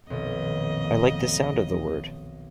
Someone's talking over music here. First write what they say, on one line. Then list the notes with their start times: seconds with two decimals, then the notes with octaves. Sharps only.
I like the sound of the word.
0.10 B1 F2 A#2 D#3 D#5